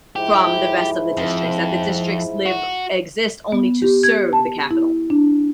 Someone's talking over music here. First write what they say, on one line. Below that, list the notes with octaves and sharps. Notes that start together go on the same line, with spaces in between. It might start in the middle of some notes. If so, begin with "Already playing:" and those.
from the rest of the districts, that the districts live exist only to serve the capital.
G#2 F3 E4 G4
F2
F#4
B3
G4
G#6
A5
E4
D4